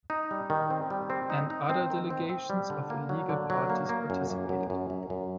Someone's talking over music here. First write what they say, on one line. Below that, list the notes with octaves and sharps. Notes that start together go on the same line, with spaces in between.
And other delegations of illegal parties participated.
D#4
G3
D#3
C4
G3
C4
D#4
D#4
C4
D#3
C4
C4
G3
D3
A#3
F#3
D3
F#3
A#3
A#3
F#2
F#2
F#2
F#2
F#2
F#2